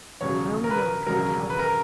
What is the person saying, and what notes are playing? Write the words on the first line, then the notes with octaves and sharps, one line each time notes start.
I only know I cannot help it.
E1 D#2 C#3 F#3 C#5
A#4
B4
A#4
E1 D#2 C#3 F#3 A#4
B4
A#4